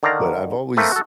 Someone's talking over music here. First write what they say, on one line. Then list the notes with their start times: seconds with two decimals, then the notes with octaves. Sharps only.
but I've always
0.03 D3 D#3 D5 F5 A#5
0.76 A3 A#3 C4 A#4 B4
0.92 F#4 A4